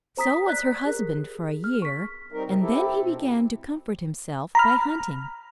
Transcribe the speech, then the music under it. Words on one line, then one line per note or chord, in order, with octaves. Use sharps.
So was her husband for a year, and then he began to comfort himself by hunting.
C5 A#5 D#6 B6
D5 F#6 B6
G4 G#4 A#4
F6
C#6 B6
G3 C4 D#4 A#4
C3 C4 D#4
C4 E4 G4 A4
B2 C4
A#5 B5 F6